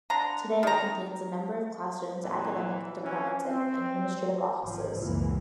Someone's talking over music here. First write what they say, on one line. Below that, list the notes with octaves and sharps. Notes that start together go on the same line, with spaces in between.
Today, it contains a number of classrooms, academic departments, and administrative offices.
D3 A#5
D#3 A#5
F2 A#2 E3
E3 C#4 F#4
C4
G#1 F3
C#2 F#2 A2 E3 A#3